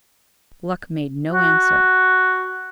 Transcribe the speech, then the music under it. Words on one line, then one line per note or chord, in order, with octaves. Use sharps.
Gluck made no answer.
F#4